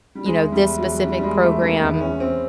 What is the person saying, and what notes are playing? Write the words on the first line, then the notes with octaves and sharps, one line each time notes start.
you know, "this specific program
G3
E2 G#3
G3
F#3
G3
G3
G#3
A3
A#3
E2 B3
C#4
C4